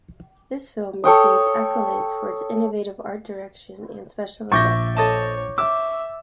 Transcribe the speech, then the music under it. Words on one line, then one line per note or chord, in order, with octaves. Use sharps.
This film received accolades for its innovative art direction and special effects.
A4 C#5 G5 D#6
A#1 E5 C#6 D6 G6 A6 A#6
A4 C#5 D#5 A5
E5 D6 E6